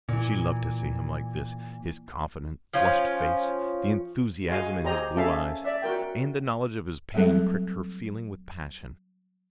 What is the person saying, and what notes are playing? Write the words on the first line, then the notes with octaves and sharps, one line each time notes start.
She loved to see him like this, his confident, flushed face, the enthusiasm in his blue eyes; and the knowledge of his pain pricked her feeling with passion.
A#2 E3
F3 C#4 F4
F#4 G#4 D#5 F5 G#5
G4 G#4 C5 D#5 A#5
C#4 G#4 A4 E5 F5 A5
D5 E5
F#4 A#4 G5
F#3 G3 A3 C4 A4